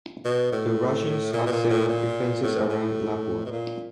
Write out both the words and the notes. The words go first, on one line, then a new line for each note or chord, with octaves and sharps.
The Russians had set up defences around Lapua.
B2
A2
A#2
B2
A#2
A2
A#2
A2
A2
B2
A#2